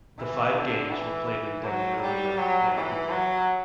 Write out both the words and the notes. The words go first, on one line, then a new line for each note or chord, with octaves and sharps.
The five games were played in Denman Arena, Vancouver.
E3
D3
E3
E3
F#3
G3
F#3
E3
F#3